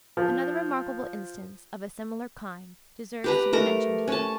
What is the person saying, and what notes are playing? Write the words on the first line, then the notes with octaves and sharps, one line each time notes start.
Another remarkable instance of a similar kind deserves to be mentioned here.
F3
G4 B4 A#5
A3 A#4 A#5
C#4 A5